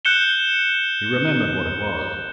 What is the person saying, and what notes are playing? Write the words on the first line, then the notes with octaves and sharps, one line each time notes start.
He remembered what it was.
F#6 G6 C#7 E7 G7